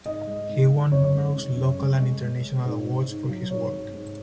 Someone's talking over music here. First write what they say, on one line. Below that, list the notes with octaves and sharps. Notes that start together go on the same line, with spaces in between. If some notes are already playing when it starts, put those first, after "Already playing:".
He won numerous local and international awards for his work.
G#2 D#5
G#3
G#2
G#2
F#2 C#5
G#3
C#3
F#2
G#3
G#3
G#3
G#3
G#2
G#2
G#2
F#3
G#2 C#5
G#2
G#2